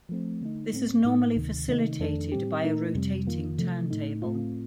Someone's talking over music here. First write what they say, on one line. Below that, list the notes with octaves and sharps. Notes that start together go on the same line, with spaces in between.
This is normally facilitated by a rotating turntable.
F3 A3 C4
D3 A3 D#4
A2 A3 C4
A2 A3 D#4
D2 C3 D#3
C3 D#3 A3 D#4
F2 D#3 A3 D4 A4
A2 G3 C4 G4
A#2 A3 D#4 A#4
F2 C3 G3
F2 D#3 A#3 F4
C3 F3 A3
A2 A3 D#4
A2 A3 C4 F4